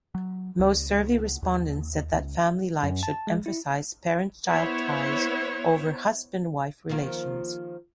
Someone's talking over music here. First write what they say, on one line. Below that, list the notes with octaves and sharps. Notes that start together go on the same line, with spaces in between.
Most survey respondents said that family life should emphasize parent-child ties over husband-wife relations.
F#3
C#2
D#2
C#2
F#2
A5
G#3
E4
B3 E4 C5 C#5
D#3 F3 A#3